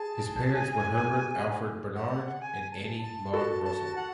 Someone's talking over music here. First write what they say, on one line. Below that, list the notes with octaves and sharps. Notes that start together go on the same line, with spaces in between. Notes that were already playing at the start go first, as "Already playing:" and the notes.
His parents were Herbert Alfred Barnard and Annie Maude Russell.
Already playing: G#4 A5
G#5
F#5
G#5
A5
A5
F#4 A4 A5
A5
F#5